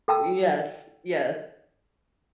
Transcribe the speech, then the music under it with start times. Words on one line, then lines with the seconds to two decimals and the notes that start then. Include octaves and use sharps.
Yes. Yes.
0.08 A4 G5 A5 E6